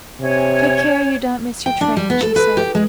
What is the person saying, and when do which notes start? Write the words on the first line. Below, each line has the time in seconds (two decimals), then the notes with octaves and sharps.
"Take care you don't miss your train," she said.
0.20 C3 C#5 G#5
1.66 G5
1.81 D4
1.97 G3
2.10 B3
2.22 A4
2.36 B4
2.57 G4
2.75 G#3